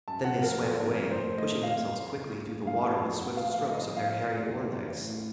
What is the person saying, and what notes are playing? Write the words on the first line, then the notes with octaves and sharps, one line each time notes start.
Then they swam away, pushing themselves quickly through the water with swift strokes of their hairy oar-legs.
F#2 A5
F#5
F3
A#4
F#1 A4
F2 A#4
A2 C5
A3 D#5
F2 F5
C#3
C2
A#2
A1 F5
A2 A5
A2 F#5
F5
F3
F5
A#1 D#5
A#2 F5
F1
D#2
A1
A2